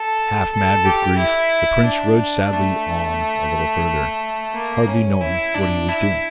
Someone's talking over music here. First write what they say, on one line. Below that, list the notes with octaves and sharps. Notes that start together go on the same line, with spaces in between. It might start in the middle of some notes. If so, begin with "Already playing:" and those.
Half mad with grief, the prince rode sadly on a little further, hardly knowing what he was doing.
Already playing: A4
A4
G4
E4
D4
A3
A#3
C#4
E4
D4
E4